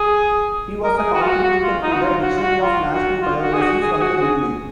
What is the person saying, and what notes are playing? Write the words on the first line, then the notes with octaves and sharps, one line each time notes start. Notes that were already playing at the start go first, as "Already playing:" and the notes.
He was a contributor to the "Dictionary of National Biography" from the beginning.
Already playing: G#4
A#4
G#4
F#4
F4
F#4
F#4
F4
D#4
F#4
F4
F#4
F4
F#4
F4
F#4
F4
F#4
G#4
F#4
G#4
G#4
F#4
F#4
G#4